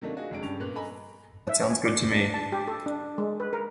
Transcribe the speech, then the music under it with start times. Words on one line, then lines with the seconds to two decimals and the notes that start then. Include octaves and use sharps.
That sounds good to me.
0.02 C3 D#3 F#3 A3 A#3 D4
0.15 D4 F4 F#4 G#4 D#5
0.31 F1 G#3 D4 D7
0.42 G2 C#3 G4 C#6 F7
0.60 A#2 B3 F#6
0.75 A4 D#5 G#5 A#5 B5
1.49 E5
1.70 G#5
1.85 D5
2.12 D4
2.34 A5
2.52 G4
2.68 A4
2.86 D4
3.18 G#3
3.40 B4
3.53 A#4